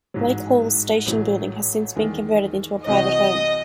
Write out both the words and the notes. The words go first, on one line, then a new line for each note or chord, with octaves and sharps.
Blake Hall's station building has since been converted into a private home.
A1 G#2 F#3
A1 A2 F#3
E2 D#3 G#3
C2 C3 E3 C4 F#4 D#5